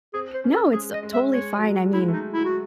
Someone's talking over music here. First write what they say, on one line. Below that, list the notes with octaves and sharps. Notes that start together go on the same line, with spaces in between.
No, it's, uh, totally fine. I mean,
C4 G#4
C5
C#4
A4
G#3 G#4
D#5
G#3
E5
G#3 C#5
F#3
G#3
G#3 E4
A3
D#4
F#3 E4
F#4